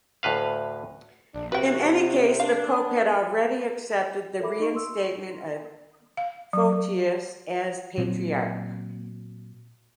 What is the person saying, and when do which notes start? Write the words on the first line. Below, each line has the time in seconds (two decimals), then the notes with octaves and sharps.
In any case, the Pope had already accepted the reinstatement of Photius as Patriarch.
0.23 D2 A2 B4 F5
1.34 A#1 D4
1.52 C3 F#4 B4 G5
2.40 D4 F5
4.40 A4 A#4 E5 B5 D6
4.59 D#4 D#5 C#6 D7
4.75 C6 C#6 E6
6.17 F5
6.53 F#3
7.98 A#2 F#3 C4